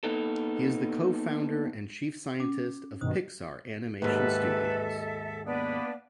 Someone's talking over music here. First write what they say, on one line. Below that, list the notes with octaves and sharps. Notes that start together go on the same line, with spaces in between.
He is co-founder and chief scientist of Pixar Animation Studios.
A#3 B3 D#4 A4
C#4 D6
G2 B2 D#3 C5 D#6
D#2 G#2 A4 B4 E5
A#3 B3 D4 B4